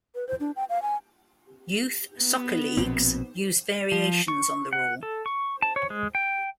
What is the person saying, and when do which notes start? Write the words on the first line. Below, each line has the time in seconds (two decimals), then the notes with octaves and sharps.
Youth soccer leagues use variations on the rule.
0.15 B4
0.28 C5
0.40 D4
0.56 G5
0.69 F5
0.82 G#5
2.19 B3
2.77 A#1 B2 C4
3.92 F3
4.28 C#6
4.73 F#5
5.03 A4
5.26 C#6
5.62 A5
5.76 C#5
5.90 G#3
6.15 G5